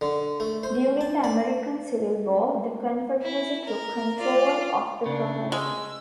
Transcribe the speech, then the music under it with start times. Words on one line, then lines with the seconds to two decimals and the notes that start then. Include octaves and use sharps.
During the American Civil War, the Confederacy took control of the property.
0.01 D3
0.40 A3
0.63 C5
1.01 A5
1.24 D5
3.22 E4
3.65 A#4
4.19 F4 D5
5.06 C#3 D4
5.52 G#3 E6